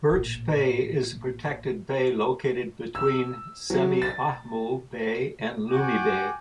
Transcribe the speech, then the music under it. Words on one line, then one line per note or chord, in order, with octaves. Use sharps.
Birch Bay is a protected bay located between Semiahmoo Bay and Lummi Bay.
A1 A#2
E6
F#3
A6
F#4 G5 G#5 D6